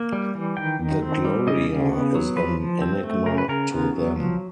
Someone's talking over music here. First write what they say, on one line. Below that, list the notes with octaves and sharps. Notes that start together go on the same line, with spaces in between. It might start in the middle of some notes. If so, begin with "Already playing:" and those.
The "Gloria" is an enigma to them.
Already playing: A#3
G3
E3
D#3 G5
D#3
C4
G3
C#3 D#5
C#3
B3
F#3
F3 B4
F3
C4
A3
C#3 A#4
B4
C#3 A#4
B3
F#3
F3